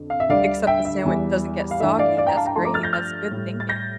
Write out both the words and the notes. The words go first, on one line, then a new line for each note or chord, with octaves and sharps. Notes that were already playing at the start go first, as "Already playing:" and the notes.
Except the sandwich doesn't get soggy, that's great, that's good thinking.
Already playing: F2 D3
F5
E5
D2 D3 G3 D5 F5
E5 G5
E5
E2 E3 G3
F5
G2 E3 A3 E5
D5 F5
D5 F5
G5 A#5
F5 A5
G5 A#5
G2 F3 A3 A5 C6
A#5 D6
F6 A6
G6 A#6
F6 A6
A2 G3
A6
G6 A#6